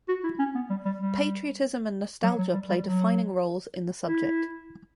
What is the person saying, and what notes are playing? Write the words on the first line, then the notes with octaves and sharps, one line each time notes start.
Patriotism and nostalgia play defining roles in the subject.
F#4
E4
C#4
B3
G3
G3
G3
F#3
F#3
G3
G3
F#3
E4